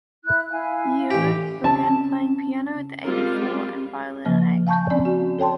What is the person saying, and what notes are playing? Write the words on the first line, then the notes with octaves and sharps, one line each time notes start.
Yeoh began playing piano at the age of four and violin at eight.
E4 F#6
E4 F5 G#5
A1 G4
C#3 C4 C#4 A5
G3 G#3 C4 F4 A#4
C#3 F3 A#3
F5 G#5 A5 C#6 G6
C4 C#4 D5 G#5
F#4
A4 C#5 G5 A5 C6